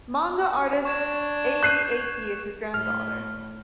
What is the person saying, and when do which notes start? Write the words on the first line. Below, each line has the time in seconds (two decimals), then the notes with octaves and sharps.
Manga artist Eiki Eiki is his granddaughter.
0.85 D4 C#6 G#6 E7
1.63 F#6 G6 C7 D#7
2.74 A2 F6